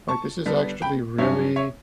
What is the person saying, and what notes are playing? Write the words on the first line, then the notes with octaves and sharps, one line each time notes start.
like, "This is actually really,
A5 C#6
D3 G3 B3 D4
G5 B5
G2 F#3 C#4 C#5 E5
C#5 E5